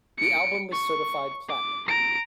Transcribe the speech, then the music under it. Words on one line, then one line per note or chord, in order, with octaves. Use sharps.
The album was certified platinum.
C#7 D7
C#6
D6
A#5 D7